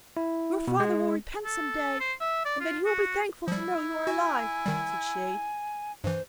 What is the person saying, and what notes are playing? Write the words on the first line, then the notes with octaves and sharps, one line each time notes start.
'Your father will repent some day, and then he will be thankful to know you are alive,' said she.
E4
B2
G#3
A4
C5
E5
D5
F4
F#4
F3 G3 E4
F#4 G#5
D#3 G3
G2 E3 C5